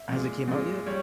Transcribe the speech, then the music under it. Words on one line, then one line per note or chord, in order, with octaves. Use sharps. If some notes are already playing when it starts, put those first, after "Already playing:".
Has it came out yet?
Already playing: E5
A#2 G#3
A#2 G#3
G3 C#5